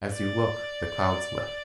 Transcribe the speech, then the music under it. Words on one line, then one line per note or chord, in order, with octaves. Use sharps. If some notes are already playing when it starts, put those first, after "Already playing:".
As you look, the clouds lift.
D5